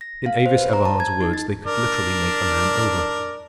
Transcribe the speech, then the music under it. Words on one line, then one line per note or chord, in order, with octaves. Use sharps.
In Avis Everhard's words, they could literally make a man over.
A#6
F5
C5
B4
A#5
A5
G#6
D#4
A6
D4 A#4 D5